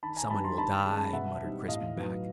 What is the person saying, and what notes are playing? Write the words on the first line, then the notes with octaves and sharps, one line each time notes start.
"Someone will die," muttered Crispin back.
D#3 A5 B5
G#5 A#5
G3 B3 D4 A5 B5
A#5 C6
D#3 A5 B5
G#3 C#4
B2 E5 F#5
G3 C4 D#4
A2 D#5 F5
F#3 B3 D#4